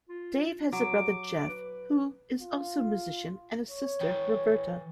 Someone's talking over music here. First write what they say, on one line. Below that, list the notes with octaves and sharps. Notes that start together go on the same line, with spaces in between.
Dave has a brother, Jeff, who is also a musician, and a sister, Roberta.
F4
F#3 D6
B4
F4
C#5
E3 G5